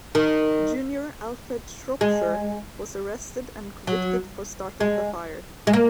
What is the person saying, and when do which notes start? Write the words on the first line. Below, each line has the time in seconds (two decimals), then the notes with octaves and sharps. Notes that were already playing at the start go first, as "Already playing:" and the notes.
Junior Alfred Shropshire was arrested and convicted for starting the fire.
0.15 D#3
2.01 G#3
3.87 F#3
4.80 G#3
5.67 G#3
5.73 A#3